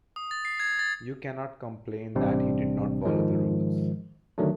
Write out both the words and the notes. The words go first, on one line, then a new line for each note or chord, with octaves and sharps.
You cannot complain that he did not follow the rules.
D#6
A6
C7
G#6
A6
A1 C3 G3 C4 D4
G#2 D#3 F3 G#3
D3 D#3 F#3 A3 D4